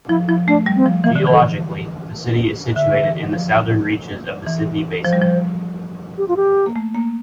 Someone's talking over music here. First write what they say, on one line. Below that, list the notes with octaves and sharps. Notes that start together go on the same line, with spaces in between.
Geologically, the city is situated in the southern reaches of the Sydney basin.
F3 E4
F3 E4
A3 D4
G3
C4
F3
E3 A#3
D3 G4
E3
A4
D3 E5
E3
F3
E3
F3 C5
G3
F3
G4
F4
G4
A#3
A3
A#3